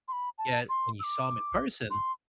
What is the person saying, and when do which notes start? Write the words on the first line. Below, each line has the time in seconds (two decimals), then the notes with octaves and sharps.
Yet when you saw him in person,
0.08 C6
0.12 B5
0.38 A5
0.69 C6
1.00 E6
1.03 D6
1.90 C6